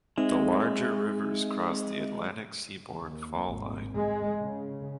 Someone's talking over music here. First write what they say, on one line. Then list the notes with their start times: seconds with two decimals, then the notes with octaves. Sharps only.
The larger rivers cross the Atlantic seaboard fall line.
0.18 G#3 C4 D#4 E5
3.00 D#2
3.45 G#1
3.95 G#3
4.39 C#3